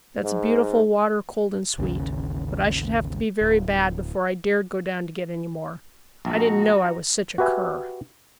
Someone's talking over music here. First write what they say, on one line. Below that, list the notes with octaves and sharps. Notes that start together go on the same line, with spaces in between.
"That's beautiful water, cold and sweet; but I should have to be very bad before I dared go down to get any more. I didn't know I was such a cur."
G#2
A1 D#2 C#3
D1
A#1 D#4 F#4
F#4 G4 B4 E5 G#5